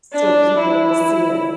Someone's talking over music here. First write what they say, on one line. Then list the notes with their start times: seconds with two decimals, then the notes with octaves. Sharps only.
so people will see it.
0.13 D4
0.58 E4